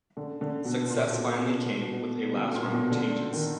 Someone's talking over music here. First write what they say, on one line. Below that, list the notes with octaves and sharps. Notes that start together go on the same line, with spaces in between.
Success finally came with a last round of changes.
D3
D3
B2
A#2
A#2
B2
D3
A#2
B2
D3
B2
D3
D#3